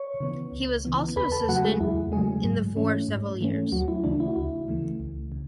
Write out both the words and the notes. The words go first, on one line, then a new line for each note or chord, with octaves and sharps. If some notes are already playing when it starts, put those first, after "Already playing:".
He was also assistant in the for several years.
Already playing: C#5 C#6
C#3 E3 B3
C#2
C#3 E3 B3
E2 B4 B5
A4 A5
C#3 F#3 A3 F#4 F#5
G#3 G#4
E2 E4
C#3 F#3 G#3 A3 G#4
G#2
E3 A3 C#4
G#2
E3 A3 C#4
D2 F#3 F#4
E4
C#3 E3 A3 D4
E4
F#4
D2 E4
C#3 E3 A3
C#2
C#3